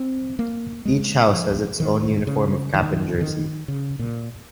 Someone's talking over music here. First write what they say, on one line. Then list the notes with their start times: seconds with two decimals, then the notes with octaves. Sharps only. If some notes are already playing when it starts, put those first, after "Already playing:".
Each house has its own uniform of cap and jersey.
Already playing: C4
0.39 A#3
0.85 G#3
1.33 F3
1.80 D#3
2.27 C#3
2.74 D#3
3.21 D#3
3.68 C#3
3.99 A#2